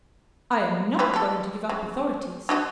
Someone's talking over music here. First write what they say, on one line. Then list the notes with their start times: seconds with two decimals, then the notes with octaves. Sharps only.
I am not going to give up authorities.
0.99 E3 F3 B4
1.14 G4 A4
1.69 C#3
2.49 D4 F#4 D#5